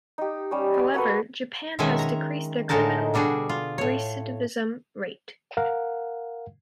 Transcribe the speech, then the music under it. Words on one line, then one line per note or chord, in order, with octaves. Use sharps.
However, Japan has decreased their criminal recidivism rate.
D#4 G4
G3 C#4
G#5 D6
A#3 F#4 A4 B4
B2 D#3 G#3 C#4 E5 G#5
A#5
A2 D3 G#3 F#4 A#4 A5
B2 G3 D4 F#4 G#4
F4
A2 C#5
A#4 F5 F#5